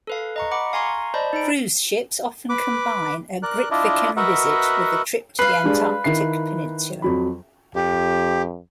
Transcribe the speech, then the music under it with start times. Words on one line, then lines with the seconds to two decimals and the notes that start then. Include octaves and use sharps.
Cruise ships often combine a Grytviken visit with a trip to the Antarctic Peninsula.
0.07 A4 B4 F5
0.36 D#5 A#5 C#6
0.51 F#5 B5 D6
0.73 F5 G#5 A#5 C6 C#6
1.14 C5 D5 D#5 A5 B5 G6
1.33 D#4 B5 D7
2.49 B4 D6
3.43 A#4 D5 F#6
3.71 D4 E4 F4 D5 D#5
4.17 F#4 A#4 B4 D#5 E5 F#5
5.39 B4 F5 C7
5.64 G3 G#3 D4
6.04 D#3 E4 C7
7.02 F2 F#3 B5
7.76 F2 G4